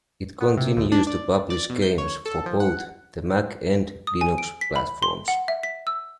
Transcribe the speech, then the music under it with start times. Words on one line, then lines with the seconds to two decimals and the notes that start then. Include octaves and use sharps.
It continues to publish games for both the Mac and Linux platforms.
0.41 B3
0.57 C3
0.77 D2
0.92 D4
1.07 D5
1.50 D5
1.70 B2
1.82 G6
1.98 C#5
2.26 A4
2.46 F3
2.60 F#5
4.07 D#6
4.21 G#5
4.38 D7
4.61 B6
4.76 B5
5.03 C6
5.28 F#5
5.48 E5
5.63 B6
5.87 E6